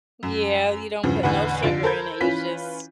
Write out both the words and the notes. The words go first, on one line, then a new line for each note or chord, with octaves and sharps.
Yeah, you don't put no sugar in it, you just
F#2
E2 G2 C#3 F3
A1 E2 D3 B4 F#5
F2 D3 F4 D7
A4 A#4 C5 B5 G6 G#6
E3 C#4 F4 B4 B6